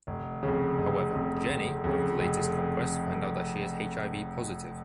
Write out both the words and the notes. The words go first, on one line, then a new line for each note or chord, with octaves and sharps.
However, Jennie, one of his latest conquests, finds out that she is HIV positive.
F1
F2 C#3
F1
F2 C#3
F1
F2 C#3
F1